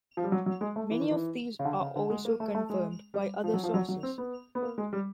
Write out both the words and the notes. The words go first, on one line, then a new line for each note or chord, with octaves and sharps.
Many of these are also confirmed by other sources.
F3
G3
F#3
F#3
G#3
A3
E3
D#3
E3
C#3
D3
C#3
D3
G#3
A#3
A3
A3
G#3
G3
F3
F#3
F3
F#3
F#3
C4
B3
B3
A#3
G#3
G3